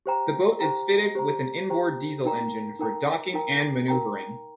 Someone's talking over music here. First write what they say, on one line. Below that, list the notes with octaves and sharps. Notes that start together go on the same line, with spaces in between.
The boat is fitted with an inboard diesel engine for docking and manoeuvring.
G4 C5 G5 A#5
G4 C5 G5 A#5
G4 C5 G5 A#5
G4 C5 G5 A#5
D#4 A#4 G5 A#5
D#4 A#4 G5 A#5
D#4 A#4 G5 A#5
D#4 A#4 G5 A#5